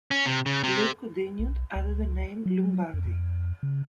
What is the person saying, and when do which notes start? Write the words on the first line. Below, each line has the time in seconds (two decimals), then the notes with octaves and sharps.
Lou continued under the name "Lou Bandy".
0.11 C#4
0.26 C3
0.46 C#3
0.64 C3
1.39 B1
1.76 C#2
2.46 F#3
2.94 F2
3.06 F2
3.63 C#3